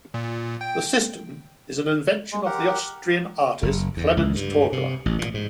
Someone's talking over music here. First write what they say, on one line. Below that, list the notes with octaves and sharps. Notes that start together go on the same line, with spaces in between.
The system is an invention of the Austrian artist Klemens Torggler.
A#2
G5
G#3
G4 A#4 F#5
F#1
E2
C#2
G2
C3
A1
A#2
G#2